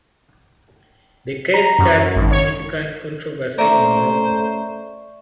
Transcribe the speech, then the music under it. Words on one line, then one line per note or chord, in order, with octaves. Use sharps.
The case stirred significant controversy in Morocco.
A#5
F#2
G#1
C#5
A3 C#4 A#4 C5 D5 E5 C#6